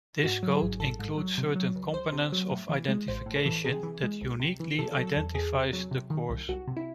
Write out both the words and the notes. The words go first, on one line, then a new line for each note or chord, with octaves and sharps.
This code includes certain components of identification that uniquely identifies the course.
G#2 F#4
F#3
G#4
G#1
G#1 A4
G#2
F#3
C3
F#3
C#2
C#2 C5
C3
F#3
A2
E3
G#3
A1 C5
A2
A4
E3
C3 G#4
E3
G#3
C2
C3
E3
C3 A4
F#3 A4
A4
E2
E2 G#4
C3
F#3
C3
D#3
C2
C2 F#4
C3
E4